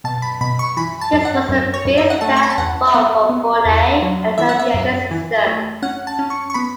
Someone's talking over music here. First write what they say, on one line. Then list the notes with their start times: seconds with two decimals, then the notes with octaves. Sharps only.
This was a big step forward for Bonaire and its aviation system.
0.04 B2 A5
0.22 B5
0.41 B2 B5
0.59 C#6
0.77 E3 B5
1.01 A5
1.13 F#2
1.25 F#5
1.49 F#2
1.74 C#5
1.85 F#2
1.97 E5
2.10 F#5
2.21 A3 A5
2.36 C#6
2.43 B5
2.50 A5
2.58 E2 F#5
2.87 E5
2.94 B3 F#5
3.29 B3
3.65 E2
4.02 F#3
4.38 E3 E5
4.49 F#5
4.59 E5
4.74 F#2
5.11 E3
5.46 A3
5.82 C#4 F#5
6.07 A5
6.19 C#4
6.30 C#6
6.50 C#6
6.54 B3 B5